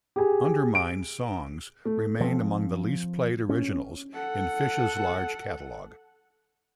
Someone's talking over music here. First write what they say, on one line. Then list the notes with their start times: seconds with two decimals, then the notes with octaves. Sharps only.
"Undermind"'s songs remain among the least played originals in Phish's large catalog.
0.16 G4 G#4 G#5
0.75 D7
1.85 A3
2.20 F3 C4
3.49 C#4
4.14 A4 F#5